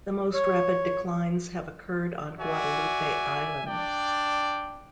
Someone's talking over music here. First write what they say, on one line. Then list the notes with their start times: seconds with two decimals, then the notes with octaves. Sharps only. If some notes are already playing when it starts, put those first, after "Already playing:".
The most rapid declines have occurred on Guadalupe Island.
0.34 C#5
2.39 F#4 D5 E5 G#5
3.67 D4 D5 G5